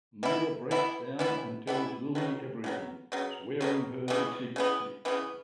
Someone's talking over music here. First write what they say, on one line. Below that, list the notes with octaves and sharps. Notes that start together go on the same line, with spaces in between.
Mia breaks down and tells Lilly everything, swearing her to secrecy.
E3 B3 E4
E3 B3 E4
E3 B3 E4
E3 B3 E4
C#3 F#3 B3
C#3 F#3 B3
C#3 F#3 B3
C#3 F#3 B3
C#3 E3 B3
C#3 E3 B3
C#3 E3 B3